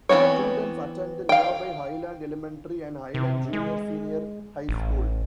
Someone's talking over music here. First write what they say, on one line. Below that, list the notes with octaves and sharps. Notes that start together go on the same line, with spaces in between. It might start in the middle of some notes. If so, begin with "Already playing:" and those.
Students attend the nearby Highland Elementary and Highland Junior-Senior High School.
E3 A3 B3 C4 C#5
F5 G5
C3
G#3
A1